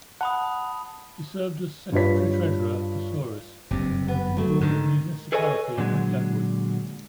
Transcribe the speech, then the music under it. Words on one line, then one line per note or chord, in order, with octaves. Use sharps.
He served as secretary-treasurer for Souris and for the Rural Municipality of Glenwood.
F#5 A5 B5 D#6
G2 F4 B4 C#5 B6
F#1 G2 C3
B3
F#3 A3
G#2 D3 D#3
G#4 A4 B4 C#5 D#5 G#5
A#2 D3 F#3 G#3